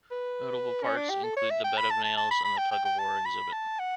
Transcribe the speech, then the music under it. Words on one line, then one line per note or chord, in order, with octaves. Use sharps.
Notable parts include the bed of nails and the tug of war exhibit.
B4
C#4
D4
G4
A4
C#5
E5
G5
B5
A5
A5
A5
B5
B5
G5
G5
G5
A5
B5
A5
F#5